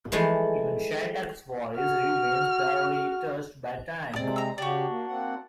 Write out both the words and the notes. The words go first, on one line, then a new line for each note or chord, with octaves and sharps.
Even Shattuck's voice remains barely touched by time...
E3 F3 G#3 A3
F#4 F6
C3 G#3 C4 D5
A#5 E6
C#3 D4 F#4 G4
A#3
A#3 C4 F#5